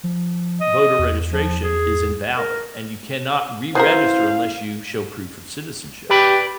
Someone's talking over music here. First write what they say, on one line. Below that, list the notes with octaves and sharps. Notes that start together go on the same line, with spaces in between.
voter registration is invalid, and you cannot reregister unless you show proof of citizenship
F3
D#5
E2
F3
G#4
A#4
B3 C#4 E4 F#4 G#4 A#4 C5 F5
G4 B4 D5 B5